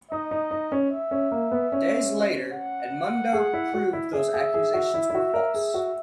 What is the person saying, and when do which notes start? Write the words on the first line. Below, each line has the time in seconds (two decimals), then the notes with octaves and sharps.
Days later, Edmundo proved those accusations were false.
0.11 D#4 D#5
0.31 D#4
0.51 D#4
0.72 C#4
0.92 E5
1.11 C#4
1.32 A#3
1.52 B3
1.72 C#4
2.53 F#5
3.33 G#4
3.53 E4
3.74 F#4
3.93 E4
4.13 G#4 E5
4.34 G#4
4.54 G#4
4.74 F#4
4.94 E4
5.10 E4
5.15 F#4
5.34 A#4
5.54 G#4
5.74 F#4